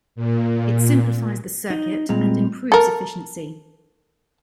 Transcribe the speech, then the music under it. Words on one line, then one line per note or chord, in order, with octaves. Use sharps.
It simplifies the circuit and improves efficiency.
A#2
D#4 D#5
A#2 G3 G#3 C4 A#5
A4 A#4